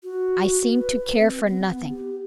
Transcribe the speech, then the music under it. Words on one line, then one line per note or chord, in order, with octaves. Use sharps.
I seemed to care for nothing.
F#4
B4
C4
B3
G4